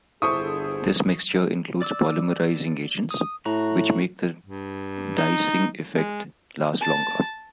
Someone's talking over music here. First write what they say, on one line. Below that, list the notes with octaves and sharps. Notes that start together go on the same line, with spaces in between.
This mixture includes polymerising agents, which make the deicing effect last longer.
G1 D3 E4 G#4 A4 C5 C#6 D#6
D5 D6 E6
D#6
A2 F#4 A#5
G2
D#4
G#3
A5